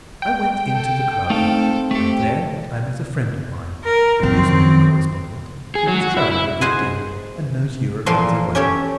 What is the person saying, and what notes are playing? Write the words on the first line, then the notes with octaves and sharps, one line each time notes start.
I went into the club, and there I met a friend of mine--a newspaper correspondent--who has travelled a good deal, and knows Europe pretty well.
G5
A4
A3 C4 D#4 A4 F5
A3 G4 A4
A#4
F#2 D#3 F3 C4
G#4
F#3
F#4
E4
E4
G#4 C5 D#5 F#5 G#5
E2 A#2 F3 A4 A#4 C6
C#4 G4 A4 C#5